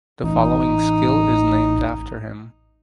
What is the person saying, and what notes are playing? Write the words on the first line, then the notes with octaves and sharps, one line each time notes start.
The following skill is named after him.
A1 D#4